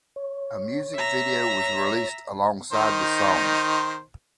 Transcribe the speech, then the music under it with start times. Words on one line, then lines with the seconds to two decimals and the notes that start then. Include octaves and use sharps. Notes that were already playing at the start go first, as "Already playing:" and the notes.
A music video was released alongside the song.
0.16 C#5
0.95 E5 A#5
2.72 D#3 D#4 C5